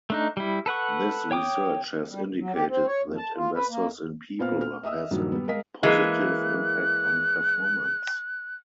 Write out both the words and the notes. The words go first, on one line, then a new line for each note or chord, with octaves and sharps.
This research has indicated that Investors in People has a positive impact on performance.
A3 D4 D#4
G3 E4
A4 B4 F#5 C#6
C#5 G5 D6 D#6
G3
D2
F#3
G4
C4
C#5
F2
A5
F4
B4
A#3
A#2 B3 C4 F5 F6
F6
D#5 E5 D#6 E6
G2 A#2 D#3 F3 F#3 F#4
G3 B3
G#3 A#4 D#5 F5 B6
E3 G#3 A#3 F#6